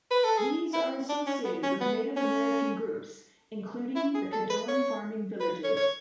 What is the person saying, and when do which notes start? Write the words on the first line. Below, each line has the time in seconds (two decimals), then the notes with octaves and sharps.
These are associated with Native American groups including the Caddoan farming villages.
0.11 B4
0.24 A4
0.38 G#4
0.74 E4
1.09 D4
1.27 C#4
1.45 B3
1.63 C#4
1.81 B3
2.17 C#4
3.96 E4
4.15 G#4
4.33 A4
4.50 B4
4.68 C#5
5.40 B4
5.64 C#5
5.77 C#5